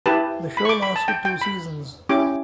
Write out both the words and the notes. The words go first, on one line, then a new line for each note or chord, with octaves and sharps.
The show lasted two seasons.
E4 G4 B4 A5
B5
C#6
D6
B5
A5
G5
G5
B5
C#4 E4 G4 D6